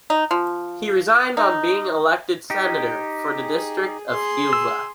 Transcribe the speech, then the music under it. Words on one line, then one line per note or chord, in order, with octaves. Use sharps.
He resigned on being elected senator for the district of Huelva.
D#4
F3
D#4
D#4 G4
G#4
G#4 C6
E6